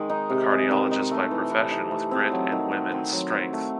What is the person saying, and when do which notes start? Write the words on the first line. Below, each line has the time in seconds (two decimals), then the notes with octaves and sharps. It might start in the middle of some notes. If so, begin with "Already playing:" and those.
A Cardiologist by profession with grit and women strength.
Already playing: D#3 G#3
0.10 D#4
0.30 C3
0.51 G#3
0.71 D#3
0.91 D#4
1.11 A3
1.31 E3
1.51 E3
1.71 D#4
1.91 A3
2.11 C4
2.32 F#3
2.52 D#3
2.71 D#3
2.92 C4
3.12 F#3
3.33 C4
3.53 A3